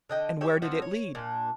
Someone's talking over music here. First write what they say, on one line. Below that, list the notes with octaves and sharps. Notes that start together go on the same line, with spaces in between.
"And where did it lead?"
D3 D#5 G5
G4 C#5 E5 G5
F3 C4 E4 F#4
C#5
A#2 D4